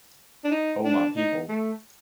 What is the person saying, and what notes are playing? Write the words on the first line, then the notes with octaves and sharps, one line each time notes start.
O my people!
D4
D#4
D4
D#4
A3